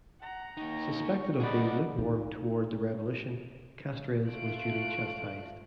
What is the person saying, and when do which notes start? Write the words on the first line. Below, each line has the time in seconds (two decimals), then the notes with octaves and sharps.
Suspected of being lukewarm toward the revolution, Castres was duly chastised.
0.21 F#5 A#5
0.57 A#3 D#4 G5 C#6
1.40 B3 D#4 G#4 B4 D5
1.96 A2 D#4
4.28 A3 F4 F#6 D7